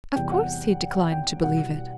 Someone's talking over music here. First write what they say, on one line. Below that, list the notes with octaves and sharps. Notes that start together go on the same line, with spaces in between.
Of course he declined to believe it.
E2 C3 G3 B3 G5
F#5
G5
B2 G3 B3 E4 F#5